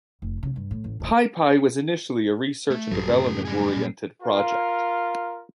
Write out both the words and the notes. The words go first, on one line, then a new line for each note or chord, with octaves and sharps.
PyPy was initially a research and development-oriented project.
F1
C#3
G2
A2
A1
D1 A1
A3
A#1 G2 F#3 G4 A4
F#2 A2 C#3
G3 G#4
A#2
F4 A#4